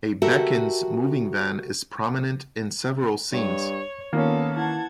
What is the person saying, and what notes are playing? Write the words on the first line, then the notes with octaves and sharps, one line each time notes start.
A Bekins moving van is prominent in several scenes.
F#4 G4 A4 A#4 E5
G2 C#5
A#2 D#3 A#3 B3 C#4 A4
E3 F#5 A5 G#6